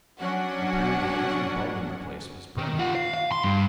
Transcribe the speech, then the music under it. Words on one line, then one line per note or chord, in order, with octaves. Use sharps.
Apparently every bulb in the place was burning.
F#3 C#4 D4 F#4 F#5
D#3
F4 F#5
F5
F5
C6
G2